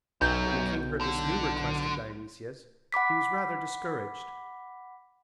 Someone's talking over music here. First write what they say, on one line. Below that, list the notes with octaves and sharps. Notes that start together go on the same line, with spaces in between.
When the king heard this new request of Dionysia's he was rather discouraged.
B1 F#2 G6
D3
F#5 B5 D6 B6